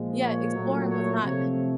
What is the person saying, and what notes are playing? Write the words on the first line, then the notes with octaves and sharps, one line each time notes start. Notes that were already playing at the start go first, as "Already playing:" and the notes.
Yeah, exploring was not
Already playing: A#2 F3 G#3
C#5
A#2 F#3 A3
C#5
C3 F3 A3 C#5